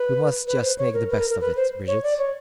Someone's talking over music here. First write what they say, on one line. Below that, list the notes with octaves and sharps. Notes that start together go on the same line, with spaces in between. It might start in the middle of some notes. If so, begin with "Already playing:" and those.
We must just make the best of it, Bridget.
Already playing: B4
B4
C5
C#5
A#4
B4
A#4
A#4
B4
C5
C#5
D5
C#5